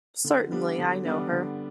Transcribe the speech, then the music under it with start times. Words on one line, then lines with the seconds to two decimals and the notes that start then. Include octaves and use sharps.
Certainly I know her.
0.24 D3
0.52 G3 B3 D4 G4
0.78 D3
1.05 G3 B3 D4 G4
1.32 D3